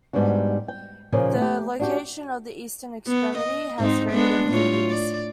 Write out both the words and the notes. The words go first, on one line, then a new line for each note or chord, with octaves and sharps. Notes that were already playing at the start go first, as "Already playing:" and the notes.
The location of the eastern extremity has varied over the years.
G#2 G3 B3 D4 F#4
G5
D#2 A#2 C#3 F3 A#3 C#4
A3 G4
D4 F#4 G4
B3
D#5
G#2 C4 D#4
G#3 B3 D4
A2 F4 C#5
D5